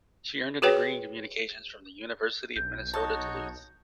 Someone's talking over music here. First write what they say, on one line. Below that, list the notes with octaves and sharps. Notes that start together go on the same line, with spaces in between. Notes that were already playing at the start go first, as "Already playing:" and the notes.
She earned a degree in communications from the University of Minnesota Duluth.
F#4 G#4 B4 C#5 G5
B1 G6
D#4 F#4 C#5 A5